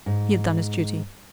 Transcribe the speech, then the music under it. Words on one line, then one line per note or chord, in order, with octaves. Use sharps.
He had done his duty.
G#2